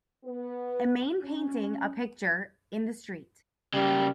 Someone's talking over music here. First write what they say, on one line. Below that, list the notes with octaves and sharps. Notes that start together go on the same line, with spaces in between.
A main painting a picture in the street.
B3
C#4
C#3 G3 A#3